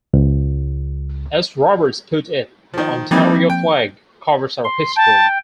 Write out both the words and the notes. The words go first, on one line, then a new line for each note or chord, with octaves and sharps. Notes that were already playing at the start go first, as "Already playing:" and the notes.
As Robarts put it, the Ontario flag covers our history.
C#2
D#3 F3
E3 F3 G3 A#3 C4 D#4
G5
C6
G5 A5